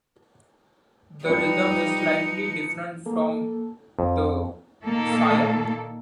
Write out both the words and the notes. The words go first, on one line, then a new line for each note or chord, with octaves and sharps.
The rhythm is slightly different from the 'Saya'.
F3 G3 D#4 B4 C#7
A#3 A4
F2
A#2 D#3 A#3 A4